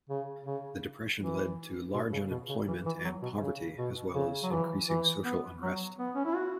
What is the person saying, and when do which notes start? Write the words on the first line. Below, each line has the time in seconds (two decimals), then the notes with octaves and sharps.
The depression led to large unemployment and poverty, as well as increasing social unrest.
0.10 C#3
0.46 C#3
1.20 E3
1.94 B2
2.13 C#3
2.31 B2
2.49 C#3
2.68 E3
2.86 E3
3.04 F#3
3.22 B2
3.41 C#3
3.78 B2
4.15 C#3
4.43 F#3
4.51 E3
4.88 E3
5.25 B3
5.62 F#3
5.99 B3
6.15 C#4
6.25 E4
6.35 F#4